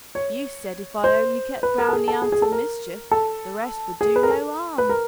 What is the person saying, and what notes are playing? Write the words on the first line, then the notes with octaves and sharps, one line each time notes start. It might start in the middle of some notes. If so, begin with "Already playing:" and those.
You said if I only kept Browney out of mischief, the rest would do no harm.
C#5
C5
B4
A#4
A4
G#4
A4
G#4
G#4
A4
A#4
A4
G#4
B4
A#4
A4
B4
A#4